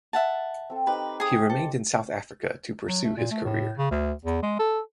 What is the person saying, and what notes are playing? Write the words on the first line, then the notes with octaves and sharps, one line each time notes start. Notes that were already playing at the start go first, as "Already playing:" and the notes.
He remained in South Africa to pursue his career.
E5 F#5 A5
C4 A4
D#4 G4 B4 C5
G#4 D#6
A4 C5
F#3
A3
A#2
A3
A2
C#3
D2
E2
G#3
A4